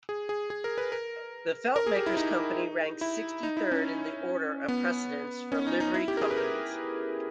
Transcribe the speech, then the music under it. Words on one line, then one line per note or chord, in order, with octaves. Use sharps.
The Feltmakers' Company ranks sixty-third in the order of precedence for Livery Companies.
G#4
G#4
G#4
A#4
B4
A#4
A#4
G#4
G4
E4
D#4
E4
D#4
E4
C#4
B3
C#4
D#4
D#4
E4
G4
A#4
G#4
B4
A#4